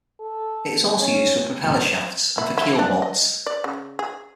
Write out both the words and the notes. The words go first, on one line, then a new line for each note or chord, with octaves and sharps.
It is also used for propeller shafts and for keel bolts.
A4
C#4
E4
E4
D4
D#5
D5
C#3
G#4